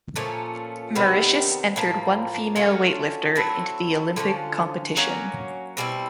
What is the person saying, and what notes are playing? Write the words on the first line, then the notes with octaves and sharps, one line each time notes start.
Mauritius entered one female weightlifter into the Olympic competition.
A#2 F3 A3 C#4
C3 D#3 G3 B3
A2 F3 A#3
F#3 A3 C#4 F4
F#3 A3 C4 E4
D3 F3 A3 C#4
F#3 A#3 C#4
B2 G3 C4 E4